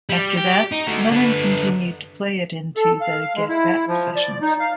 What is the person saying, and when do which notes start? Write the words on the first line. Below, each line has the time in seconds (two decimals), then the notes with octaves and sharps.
After that, Lennon continued to play it into the Get Back sessions.
0.09 G3
0.37 G4
0.72 D#4
0.87 A3 F#4
1.12 D3 B4
2.77 A4
3.01 F5
3.36 G#3
3.49 E4
3.88 F3
4.16 D5
4.42 D#4
4.60 F5